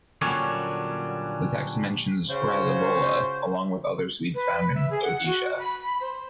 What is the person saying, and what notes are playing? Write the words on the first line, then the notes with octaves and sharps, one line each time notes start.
The text mentions Rasagola, along with other sweets found in Odisha.
A#2 D3 F#3 G3 C#4 D4
C#3 F4 F#4 C5 C#5
B4
E5
G#4
F#5
F#4
B5
C5